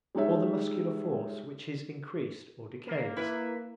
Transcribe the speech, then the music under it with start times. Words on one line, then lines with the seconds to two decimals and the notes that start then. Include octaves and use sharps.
Or the muscular force, which is increased or decays.
0.15 G3 G#3 D#4 C#5 E5
2.87 A#3
3.17 E4 B4 E5